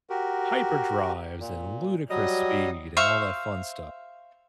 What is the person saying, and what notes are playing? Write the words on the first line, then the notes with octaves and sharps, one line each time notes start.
hyperdrives and ludicrous speed and all that fun stuff.
F#4 G4 A#4
A#2
F#3 G3 D#5
C5 E5 F5 C#6